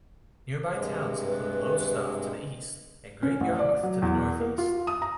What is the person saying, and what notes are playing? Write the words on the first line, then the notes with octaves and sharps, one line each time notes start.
Nearby towns include Lowestoft to the east and Great Yarmouth to the northeast.
G2 C3 G#3
B4
C#4
A1
D5
F#3
E2
A#3
F4
D#6
A#5